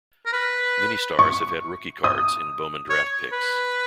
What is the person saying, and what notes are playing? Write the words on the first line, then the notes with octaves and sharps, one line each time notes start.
Many stars have had rookie cards in Bowman Draft Picks.
A#4
B4
C#6
D#6
C#5
B4